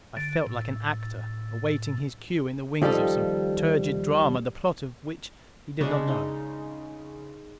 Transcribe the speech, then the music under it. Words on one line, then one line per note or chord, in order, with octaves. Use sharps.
I felt like an actor awaiting his cue in the wings of some turgid drama the plot of which he did not know.
D3
A2
D#2 F3 G3 D#4 A4
C#3 G#3 D4
D#4